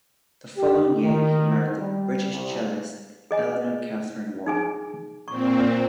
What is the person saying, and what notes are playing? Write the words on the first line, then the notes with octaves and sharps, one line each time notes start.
The following year he married the British cellist Eleanor Catherine Warren.
G4
D#3
G3
C2
G#4 D#5 G#5
D#4 G#4 G#5
A#2 C4 C#6